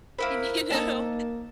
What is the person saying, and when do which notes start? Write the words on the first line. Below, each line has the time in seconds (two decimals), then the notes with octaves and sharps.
y you know
0.19 A#3 E4 A#4 C5 B5
0.70 A#3 D#4 A4 G5 A5